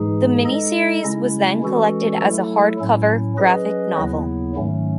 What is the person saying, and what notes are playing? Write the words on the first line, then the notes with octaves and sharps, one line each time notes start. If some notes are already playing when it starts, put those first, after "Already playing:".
The miniseries was then collected as a hardcover graphic novel.
Already playing: G#2 E3 G#3 D#4 G#4
G#3 D#4 A4 D#5
C#3 G#3 C#4 E4
E3 G#3 C#4 F#4 A4
F#3 A3 E4 A4
A2 F#3 C#4 E4
F#3 C#4 G#4 B4 D#5
D#2 C#3 F#3 B3 E4
G#2 D#3 F#3 A3 C#4